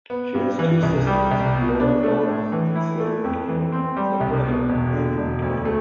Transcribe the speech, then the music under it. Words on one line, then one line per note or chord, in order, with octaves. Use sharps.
She has two sisters, Laura Norris and Sarah McNeil, and a brother, Andrew McNeil.
B3
G2
E3
C2
G3
C2
B2
D4
A3
A2
E3
E4
A3
F2
E3
C4
G3
C2
B2
E1
D3
E1
D2
A3